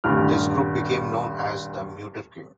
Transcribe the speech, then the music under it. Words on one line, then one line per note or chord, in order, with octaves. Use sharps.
This group became known as the Muiderkring.
D#1 D2 G2 F6